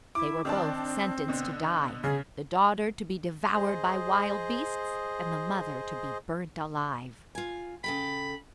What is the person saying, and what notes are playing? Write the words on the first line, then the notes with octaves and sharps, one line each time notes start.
They were both sentenced to die--the daughter to be devoured by wild beasts, and the mother to be burnt alive.
E4 D6
D#3 C4 D4 A5
B2 D3
C#3 G#4
G#4 C5 D#5
F4 G#5
C#3 A4 G5 B5